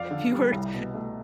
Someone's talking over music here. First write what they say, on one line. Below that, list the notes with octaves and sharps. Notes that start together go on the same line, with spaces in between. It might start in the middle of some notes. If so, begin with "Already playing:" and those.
If you were to
Already playing: F2 D5 F5
D3
G3
C2
B2
A3